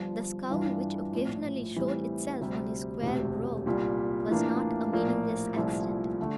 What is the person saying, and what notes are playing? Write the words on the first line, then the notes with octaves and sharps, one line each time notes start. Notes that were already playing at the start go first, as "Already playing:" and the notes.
The scowl which occasionally showed itself on his square brow was not a meaningless accident.
Already playing: G1 G2 F3
G2 E3 G3 D4 F4
A#1 A2 F3
A2 E3 G3 C4
D2 C3 G3
E1 D2 C3
C2 A#2 G3
A2 E3 A#3 D4 F4
A#1 A2 F3 A#3
C2 A#2 F3 A3 E4
D3 A3